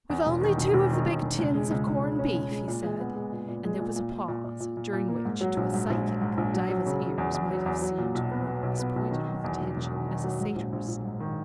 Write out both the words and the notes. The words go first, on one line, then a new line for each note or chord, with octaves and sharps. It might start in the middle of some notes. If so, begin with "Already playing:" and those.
"We've only two of the big tins of corned beef," he said; and there was a pause, during which, to a psychic, Diva's ears might have seemed to grow as pointed with attention as a satyr's.
E2
E1
D#3
E1
E1
D#3
E1
E1
C#2
G#3
C#2
C#2
C#3
C#4
C#2
G#3
A#2
G#3
B3
G#3
A#2
A#2
G#3
A#2
A#2
A#2
A#2
A#2
A#2
A#2
A#2
A#3
G#2
F#3
A#1
G#2
A#1
G#2
G#2
A#1
F#3
F#3
C#3
C#3
E2
E2
F#3
E2
F#3
A#2
B1
B3
B3
B1
B3
B1
D#3
F#3
E2
E1
E1
D#3
D#3
F#3
G#2
A#1
A#1
A#1
G#2
D#3